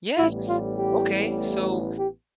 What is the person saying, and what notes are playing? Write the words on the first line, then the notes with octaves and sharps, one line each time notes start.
yes. Okay. So,
A1 A2 G3 B3 E4
F4
G4
G4